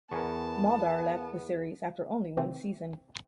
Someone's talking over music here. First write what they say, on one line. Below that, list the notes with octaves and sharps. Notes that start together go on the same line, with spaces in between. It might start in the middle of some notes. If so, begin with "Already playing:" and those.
Muldaur left the series after only one season.
E2 B3 A#4 G#5 A5 C#6
C3 D#3 E3 A3 C4